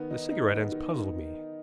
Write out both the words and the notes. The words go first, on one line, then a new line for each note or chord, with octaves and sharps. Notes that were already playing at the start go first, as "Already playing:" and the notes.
The cigarette-ends puzzled me.
Already playing: D#3 B3
D#4
D#4
B3
D#3